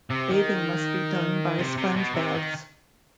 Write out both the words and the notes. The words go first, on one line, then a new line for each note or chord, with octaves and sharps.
Bathing must be done by sponge baths.
C3
D#3
C3
C3
B2
C3
D#3